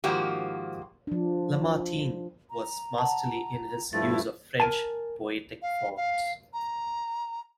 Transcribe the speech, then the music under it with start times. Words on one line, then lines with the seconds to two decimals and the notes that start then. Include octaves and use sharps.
Lamartine was masterly in his use of French poetic forms.
0.04 G#2 D#3 F3 A#3 F#4 G4
1.07 F3 D4
2.50 A#5
2.98 F#5 A5
3.93 G2 F3 A3 E4 A6
4.60 A#4 G#5 A5
5.62 F5
5.97 F5
6.53 A#5